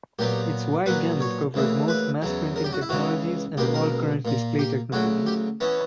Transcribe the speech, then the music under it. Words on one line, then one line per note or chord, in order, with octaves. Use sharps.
Its wide gamut covers most mass printing technologies and all current display technologies.
A#2 F#3 B3 G4
A#2 F#3 B3 B4
C#5
D2 C#3 E3 A#3
B4
E2 C#3 F#3
A#4
G4
F#4
E4
C#2 C#3 E3 F#4
C#2 B2 A#3 G4
A#4
A#2 A#3
G4
D2 C#3 F#3 F#4
G4
E3 B3 C#4